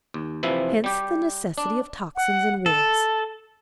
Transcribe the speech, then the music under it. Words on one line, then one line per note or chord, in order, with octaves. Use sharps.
Hence the necessity of tocsins and wars.
D#2
C3 E3 F3 E4
G3 G4
D4
F#5
A4